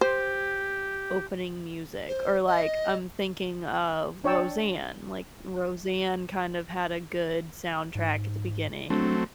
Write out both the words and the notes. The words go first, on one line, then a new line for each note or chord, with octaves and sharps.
opening music. Or, like, I'm thinking of Roseanne. Like, Roseanne kind of had a good soundtrack at the beginning.
G4 C5
C5
D#5
D4 C#5 D5 G5 E6
G#2
F#3 A3 C4 D4